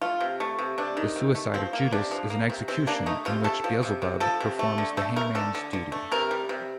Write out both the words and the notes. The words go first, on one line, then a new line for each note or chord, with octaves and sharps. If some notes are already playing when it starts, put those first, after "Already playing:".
The suicide of Judas is an execution, in which Beelzebub performs the hangman's duty.
A3 F4
C3
A3
C3
C3 D4
D#3
C3
A3
F3 C4
A#3
C3 D4
F3
A#3
C3
C3 C4
A#3 D4
A3 D#4
C3 F4
A3 A4
F3
C3
C3
F3 A4
C3
A3
D3
A3 A4
A3 A#4
D3 A4
D3
D3
A3
C3 A#4
G3
C3